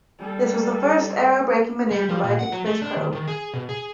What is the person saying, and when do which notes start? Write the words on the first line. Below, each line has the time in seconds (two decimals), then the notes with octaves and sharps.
This was the first aerobraking maneuver by a deep space probe.
0.19 G3 A4
1.91 G3
2.09 F3
2.24 A#2
2.39 F#5
2.52 F#3
2.66 A3
2.82 D4
2.97 D#3
3.13 D#3
3.27 G#4
3.54 B2
3.69 G#4